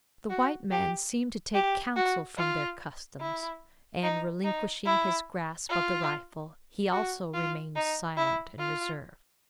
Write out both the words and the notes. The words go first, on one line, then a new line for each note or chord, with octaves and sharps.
The white man seemed to take counsel from their customs, and, relinquishing his grasp of the rifle, he also remained silent and reserved.
F#4
G4
G4
F#4
F4
E4
D#4
D#4
E4
F4
F#4
F4
D#4
E4
F4